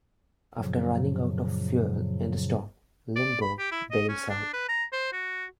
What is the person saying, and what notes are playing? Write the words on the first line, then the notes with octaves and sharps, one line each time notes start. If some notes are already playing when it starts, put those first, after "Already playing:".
After running out of fuel in the storm, Lindbergh bails out.
F#2 A#2 C#3 F3 F#3
D5
B5
G4
E4
D#5
C#4
D4
B4
A#5
C5
F#4